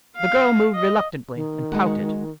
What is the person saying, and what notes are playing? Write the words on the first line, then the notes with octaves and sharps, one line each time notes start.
The girl moved reluctantly, and pouted.
F5
D#5
D#3
G#3 F#4 F#5